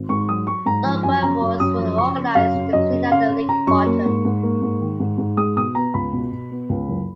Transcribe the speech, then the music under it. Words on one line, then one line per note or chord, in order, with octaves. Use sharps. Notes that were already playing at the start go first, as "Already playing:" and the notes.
Local efforts were organized to clean up the lake bottom.
Already playing: G#1
G#2 C#6
F#3 D#6
F#3 C#6
G#2 A#5
F3
F#2 G#5
C#3 A#5
F#2
F#2 D#6
F3
C#3 C#6
C#3
F#2 F5
C#3
F#2 D#5
C#3
C#3 F5
C#3
C#3 A#5
F#2 C#6
A#3
G#2
G#2
A#3
G#2
D#3
G#2
G#2
G#3 D#6
B2 D#6
B3 A#5
C#2 B5
B2
B2
B3
C#2
F#1